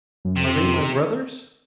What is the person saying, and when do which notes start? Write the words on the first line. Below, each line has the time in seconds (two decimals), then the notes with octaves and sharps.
"Are they my brothers?"
0.25 F#2
0.36 F2 C3
0.61 F#2
0.66 F2